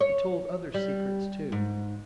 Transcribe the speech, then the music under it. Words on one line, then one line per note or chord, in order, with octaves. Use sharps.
It told other secrets too.
C#5
G3
G#2